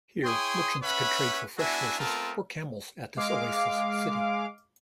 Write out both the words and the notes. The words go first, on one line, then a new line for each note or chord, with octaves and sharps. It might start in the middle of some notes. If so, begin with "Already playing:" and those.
Here merchants could trade for fresh horses or camels at this oasis city.
E4 G#4 C#5 G5 C6 D#6
C#4 B4 C#5 E5 F#5 B5
B3 D4 E4 F#4 E5 G#5
A3 B3 C4 F4 A4 A#4
G#3 F5 D6